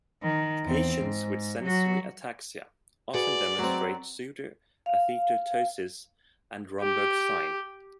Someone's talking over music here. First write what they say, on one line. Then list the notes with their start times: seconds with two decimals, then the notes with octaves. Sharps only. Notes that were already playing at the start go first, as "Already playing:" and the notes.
Patients with sensory ataxia often demonstrate pseudoathetosis and Romberg's sign.
0.23 D#3
0.65 E2 C4
1.02 G#2
1.63 F#3 F#4
3.14 F#4 G#4 B4 D5
3.59 F#3 C4
4.86 F5
6.80 G4